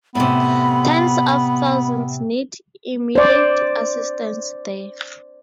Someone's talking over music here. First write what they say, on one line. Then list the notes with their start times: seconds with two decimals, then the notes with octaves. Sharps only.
Tens of thousands need immediate assistance there.
0.15 A2 C3 B3 B5
3.15 C5 D5